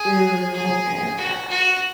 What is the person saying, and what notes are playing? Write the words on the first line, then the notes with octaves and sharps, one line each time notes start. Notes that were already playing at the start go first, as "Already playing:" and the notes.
Mm, okay, okay, I got you.
Already playing: G#4
G#4
F#4
F#4